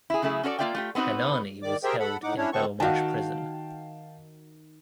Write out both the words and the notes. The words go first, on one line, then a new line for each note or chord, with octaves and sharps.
Hanani was held in Belmarsh Prison.
E4 G#4
C#3 F#3 A3 E4 G#4
C#4 F#4 A4 C#5 D5
A#3 D4 F4 D5 E5 G5
A3 F4 G4
B3 C4 D#4 F#4 B4
D#3 D5 D6
G4 G#4 A#4 C5 E5 G5
A4 F#5 B5
A2 D#4 F#5 D6
C#4 D4 E4 C#5
D2 B3 C4 A4 C#6
D#3 F#4 F5 G5 A5